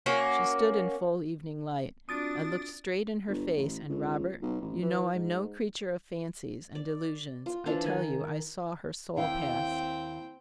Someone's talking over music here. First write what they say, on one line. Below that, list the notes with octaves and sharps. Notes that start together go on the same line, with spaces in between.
She stood in full evening light, I looked straight in her face, and Robert, you know I'm no creature of fancies and delusions, I tell you I SAW HER SOUL PASS.
A#3 C#4 F#4
C4 D4 F4 F#4 D#6 A6 D7
G1
A1
C#2
B1
A1
E3
G#2
D5
F4
E3 F3 D4 F5
D#3 G#5
D#2 C4 E4 F5 G5